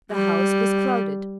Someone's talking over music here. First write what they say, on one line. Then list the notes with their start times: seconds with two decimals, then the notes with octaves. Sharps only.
The house was crowded.
0.12 G3